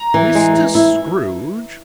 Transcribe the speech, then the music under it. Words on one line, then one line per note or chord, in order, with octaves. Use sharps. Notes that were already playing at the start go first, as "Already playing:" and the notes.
"Mr. Scrooge?"
Already playing: A#5
E3
G#3
G#3
E4